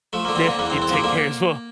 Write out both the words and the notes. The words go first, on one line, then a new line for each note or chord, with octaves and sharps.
Yeah, you take care as well.
F3 A3
D3 A#3
C4
D3 A#3
E2 A#3
C4
E2
C4
F3 A#3
D3 A#3